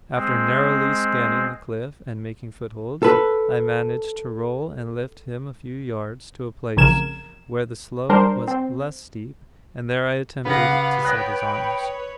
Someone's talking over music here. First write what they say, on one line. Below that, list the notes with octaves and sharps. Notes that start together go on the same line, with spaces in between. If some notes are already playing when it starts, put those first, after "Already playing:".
After narrowly scanning the cliff and making footholds, I managed to roll and lift him a few yards to a place where the slope was less steep, and there I attempted to set his arms.
G#3 C4
A4 B4
A1 F2 C#3 A#4 G#6 E7
G3 D4 A#4 C5
C4
C#3 B3 G4 F5 F#5 A#6
B4 C#5 G5 B5 D#6 F#6 A#6